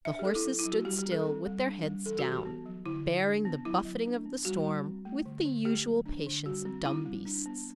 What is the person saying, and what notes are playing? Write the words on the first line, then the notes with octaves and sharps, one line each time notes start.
The horses stood still with their heads down, bearing the buffeting of the storm with the usual patience of dumb beasts.
D4 E5
G4
B3 A4
E4
F#3
E4
F#3
F#4
G3 G4
G4
C4
A4
C4
G3
D4
G3
E3 A4
F#4
E3
G4
B3
F#3
D3 E4
D3
D4
B3
F#3 E4
F#3
D4
B3
G3 F#4
G3
C4
A3
D3
D3
A3 G4
F#3
D4
D3
G3 F#4
C4
C4 E4
G3
D4
B3